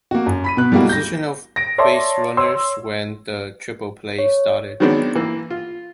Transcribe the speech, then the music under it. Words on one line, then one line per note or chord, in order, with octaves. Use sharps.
Position of baserunners when the triple play started.
A#3 F#4
F#2
B5 B6 D#7
B2 B3 F#6
G3 G#3 A#3 E4 F#4
G6 A#6
A#6 D7
C#5 D5 E5 A5 C6
C#5 C6 E6
C#5
D#3 F#3 G#3 B3 C4 D4
E3 A#3
F4